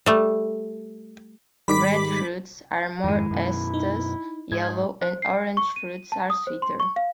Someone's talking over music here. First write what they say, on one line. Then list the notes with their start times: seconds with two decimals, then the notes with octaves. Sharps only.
Red fruits are more acetous, yellow and orange fruits are sweeter.
0.06 G3 A3
1.68 G#2 D#3 G3 B5 D6 B6
3.04 F2 G#2 D#3 G#3 E4
3.31 F#2 B2
3.74 D#4
4.52 G#2 G#6
5.02 C5
5.22 C7
5.57 C#6
5.76 D#7
6.12 A5
6.30 D#6
6.47 C5
6.62 C6
6.80 C#6
6.96 F5